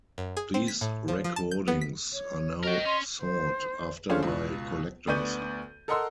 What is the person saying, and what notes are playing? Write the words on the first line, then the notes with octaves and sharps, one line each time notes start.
These recordings are now sought after by collectors.
F#2
G#4
C4
B6
A2
F3
F3
A5
G6
B3
B6
C#5
F#4 A#4 D#5 G5
C#4 C6
C5
C#4 D4 F4 G#4 A4 C5
C#2 B2
D2 B3 D5 C#6 G6 D#7
A4 A#4 D#5 F#5 C6 E6